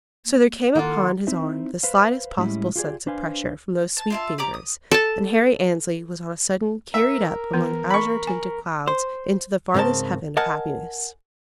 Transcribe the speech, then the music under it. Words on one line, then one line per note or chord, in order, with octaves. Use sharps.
So there came upon his arm the slightest possible sense of pressure from those sweet fingers, and Harry Annesley was on a sudden carried up among azure-tinted clouds into the farthest heaven of happiness.
A#3
D#3 A#3 E4 F4 A4 F#5
C4 D#4 E4 C5 E5
B4 C5 F5
A2 G3 G#3 C#4 E4
F4 G4 G#4 D5
D4 B4 C5 F5 G#5
A5
F4 E5 A5
G4 D5 A#5 D6
D#6
A4 A5
A#4 E5
E3 B3
B5 C#6
G#5
C5
G#2 C#3 C4 A#4 A5
A#4 D#5 F#5 G#5 A5